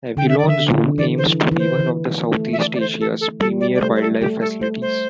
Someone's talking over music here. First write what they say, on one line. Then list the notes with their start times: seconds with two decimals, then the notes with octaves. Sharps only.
Avilon Zoo aims to be one of Southeast Asia's premiere wildlife facilities.
0.17 D3 G5
0.29 E5
0.38 D5
0.44 D3 E5
0.71 D3
0.98 E3 D5
1.18 C5
1.26 E3
1.51 E3
1.59 C5
1.79 E3
2.33 A3
2.53 E5
2.59 D5
2.75 D5
2.80 C5
3.01 A4
3.21 A4
3.40 G3 A4
3.61 D5
3.75 D5
3.80 A3 C5
3.96 C5
4.01 A4
4.21 A3 G4
4.41 A4
4.61 A3 C5
4.82 C5